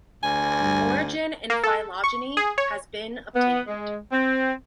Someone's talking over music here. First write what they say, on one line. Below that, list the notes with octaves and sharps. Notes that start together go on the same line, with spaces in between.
Origin and phylogeny has been obtained.
D2 G#5
G2
A#3
A4
C#6
G#4
C#5
B3
G#3
C4